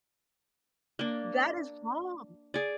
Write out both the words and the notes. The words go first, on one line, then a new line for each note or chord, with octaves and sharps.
that is wrong.
A#3 D4
G#4 D5